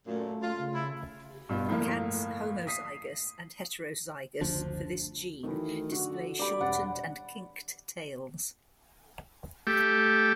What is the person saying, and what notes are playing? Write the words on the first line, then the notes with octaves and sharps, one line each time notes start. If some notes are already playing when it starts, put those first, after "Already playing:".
Cats homozygous and heterozygous for this gene display shortened and kinked tails.
F#2 A#2 A3
F4
C#3
E4
G2 B2 F4
G1 A2 F3 A#3 F5
D#6 B6 C7
F#1 D2 F3 D4
D#3 E3 F#3 A3
D3 F#4
G4 D5 B5
E1 G2 D4 F#5 A6
A3 G4